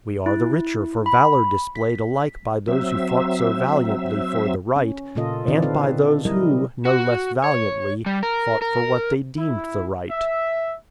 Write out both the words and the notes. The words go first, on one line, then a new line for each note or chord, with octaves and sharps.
We are the richer for valor displayed alike by those who fought so valiantly for the right, and by those who, no less valiantly, fought for what they deemed the right.
E4
B5
B6
F#3 C4 E5
C#4
A#2 C#3 A#3 F4 A4 D#5
D3 D#3 C4 D#4 D5
C4 A4 B4 F5
F#3 G3 E4 A#4 D#5
F#4
C#5
G3
A#4
A#4
E4
E5